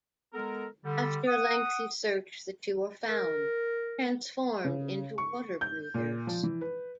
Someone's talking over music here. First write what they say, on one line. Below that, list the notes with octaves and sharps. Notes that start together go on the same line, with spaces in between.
After a lengthy search the two are found, transformed into water breathers.
G#3 B3 A4 A#4
D3 G3
F#5 D#6
A#4
C#3
C#6
G6
A#2
F3
E3
B4